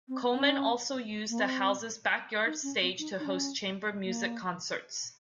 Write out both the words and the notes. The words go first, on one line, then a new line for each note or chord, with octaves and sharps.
Coleman also used the house's backyard stage to host chamber music concerts.
C4
C#4
A#3
C4
D#4
C#4
C4
D#4
D#4
C#4
A#3